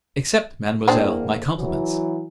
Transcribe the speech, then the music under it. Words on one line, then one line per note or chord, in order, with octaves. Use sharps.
Accept, mademoiselle, my compliments.
E2 G#3 A#3 C4 D4
E3 F#3